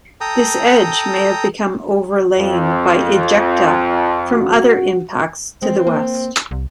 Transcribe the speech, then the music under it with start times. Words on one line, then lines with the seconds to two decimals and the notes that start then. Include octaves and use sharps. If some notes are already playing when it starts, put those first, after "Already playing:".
This edge may have become overlain by ejecta from other impacts to the west.
0.21 A4 G5 A#5 D#6
2.37 F2 F4
4.33 F#4
5.62 G#3 C4
5.87 A#3
6.51 C2